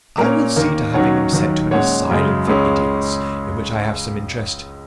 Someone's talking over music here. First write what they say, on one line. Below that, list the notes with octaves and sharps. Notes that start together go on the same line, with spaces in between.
I will see to having him sent to an asylum for idiots in which I have some interest.
A#2 A#3 C#4 A#4
D#2 D#3 A#3
D#2 D#3 F#3 C#4 C#5 F#5
D#2 D#3 F#3
A#2 G#3 C#4 C#5 F#5
F#2 C#3 G#3
C#2 C#3 G#3 C#4